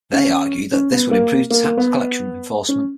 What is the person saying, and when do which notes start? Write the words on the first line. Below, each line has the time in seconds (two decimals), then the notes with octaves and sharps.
They argued that this would improve tax collection enforcement.
0.13 C#4
0.73 C#4
0.92 B3
1.11 A#3
1.51 A#3
1.64 A#3
1.77 B3
2.69 C#4